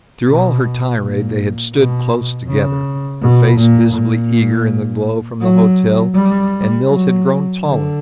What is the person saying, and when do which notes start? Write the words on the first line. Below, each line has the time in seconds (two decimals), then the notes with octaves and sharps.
Through all her tirade they had stood close together, her face visibly eager in the glow from the hotel; and Milt had grown taller.
0.27 B2
1.01 A#2
1.74 B2
2.48 C#3
3.21 B2
3.57 A#2
3.94 A#2
5.41 F#3
6.15 G3
6.88 F#3
7.62 D3